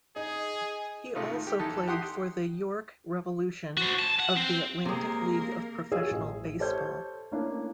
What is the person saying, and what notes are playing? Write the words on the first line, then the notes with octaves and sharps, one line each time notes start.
He also played for the York Revolution of the Atlantic League of Professional Baseball.
D#4 G#4
G#2 C3 A3 D#4 F4
D#3
G4
E2 D#4 A4 A5
G4 F#5 C6 D#6
F#4 C5
A5
F#5
C4
C3 G#3 A#3 A#4
F4 F#4 G#4 C#5 D#5 E6
A1
G4 A4 C5 C#5 C6 G6
A3 A#3 C#4 D4 E4